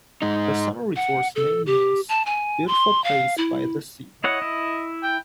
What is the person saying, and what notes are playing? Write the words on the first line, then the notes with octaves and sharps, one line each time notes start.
The summer resort's name means "beautiful place by the sea".
G#2 D#4
F#5
A4
G4
A5
G#5
C6
F5
E4
E4 C#5 D#5 F#5
E4
G5